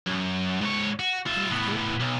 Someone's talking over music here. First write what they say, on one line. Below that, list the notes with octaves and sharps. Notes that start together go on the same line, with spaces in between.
Can I hope?
F#2
G#2 C#5
F#4
F4 E5
A2 B3
B1